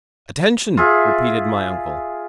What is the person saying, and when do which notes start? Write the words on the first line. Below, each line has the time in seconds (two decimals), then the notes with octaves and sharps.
"Attention!" repeated my uncle.
0.77 F4 G#4 E5